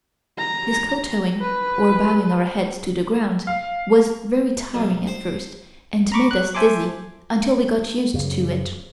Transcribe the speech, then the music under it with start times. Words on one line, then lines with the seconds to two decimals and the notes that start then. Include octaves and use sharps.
This kowtowing, or bowing our heads to the ground, was very tiring at first and made us dizzy, until we got used to it.
0.38 A#5
1.41 B4
3.47 F5
4.74 B1
5.07 C5
6.12 A#5 B5 C#6 D6
6.31 F#6
6.55 C5 E5 G#5 A5 C6 D6
8.14 F#2 C#3